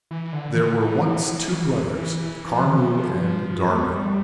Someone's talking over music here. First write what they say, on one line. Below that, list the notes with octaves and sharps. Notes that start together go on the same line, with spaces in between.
There were once two brothers Karmu and Dharmu.
E3
D3
E3
F3
D3
E3
G3
F3
F3
A3
G3